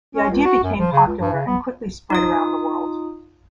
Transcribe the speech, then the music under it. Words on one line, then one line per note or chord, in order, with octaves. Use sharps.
The idea became popular and quickly spread around the world.
C#4
C#2
F#4
F#2
F3
C#3
C#2
G2
C#3
B3
D#4 F4 D#6